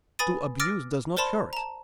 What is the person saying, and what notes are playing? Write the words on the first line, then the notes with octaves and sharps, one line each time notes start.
To abuse does not hurt.
B4 G#5 B5 D#6 A6 D#7
D6 E6 F6 A6 A#6 D7
A#4 C5 D5 A5 B5 C6
A5 A#5